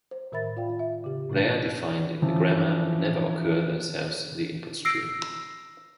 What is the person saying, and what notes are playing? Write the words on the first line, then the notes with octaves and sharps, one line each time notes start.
They are defined in the grammar and never occur themselves in the input stream.
C5
A2 D#3 A#4 E5 B5 A6
F4 D5 F5 G5
E5
C#3 G4
A2 C3 E3 A3
E3 F3 C#4
E6 A#6 C7 D7